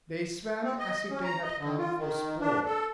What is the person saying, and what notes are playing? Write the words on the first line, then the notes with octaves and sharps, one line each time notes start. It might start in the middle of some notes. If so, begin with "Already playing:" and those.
They swam as if they had come for sport.
C4
D#5
C#4
A#5
D#5
D3
F4
D#3
D4
A4